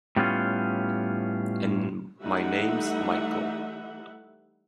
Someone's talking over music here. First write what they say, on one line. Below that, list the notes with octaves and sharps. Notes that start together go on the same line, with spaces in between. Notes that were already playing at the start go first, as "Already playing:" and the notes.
And my name's Michael.
A2 G3 B3 C#4 F4
E3 G3 A3 D#4 E5 F#5